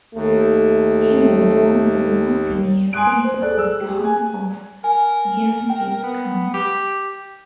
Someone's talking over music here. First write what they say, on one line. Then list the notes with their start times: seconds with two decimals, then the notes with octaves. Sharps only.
He was one of the most senior princes of the house of Genghis Khan.
0.14 D#2 A3
2.93 G#5 C6 D#6 F#6 D7
3.24 C5
3.42 G#4 A4 D5 F#6
3.59 E6
3.81 G4 G#4
4.04 G#5
4.84 A#4 G#5
5.70 G5
6.04 B3
6.54 G4